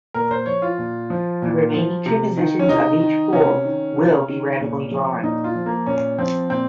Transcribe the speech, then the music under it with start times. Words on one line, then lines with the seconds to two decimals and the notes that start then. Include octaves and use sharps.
The remaining two positions of each pool will be randomly drawn.
0.14 A#2 A#4
0.31 C5
0.46 F3 C#5
0.62 F4
0.78 A#2
1.10 F3
1.42 A#2
1.74 F3
2.06 C3
2.37 D#3
2.59 C#4
2.69 C3 D#4
3.01 D#3
3.32 C3 C#4
3.65 D#3
3.97 C3
4.28 D#3
4.60 A#2
4.91 F3
5.23 A#2 D#4
5.44 F4
5.55 F3
5.66 A#3
5.86 A#2 C#4
6.18 F3 C4
6.50 A#2 C4